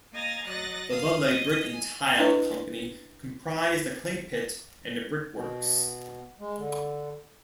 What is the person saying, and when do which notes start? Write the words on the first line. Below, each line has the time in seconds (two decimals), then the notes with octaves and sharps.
The Ludlay Brick and Tile Company comprised a clay pit and a brick-works.
0.12 A#3 D#5 G#5 A#5 A6
0.47 F#3 D#5 F#6 A6 A#6
0.89 F5 D#6
1.23 D#5
1.72 G#5
2.18 D4 E4 B4 D#5
5.33 B2
6.40 G#3
6.58 D3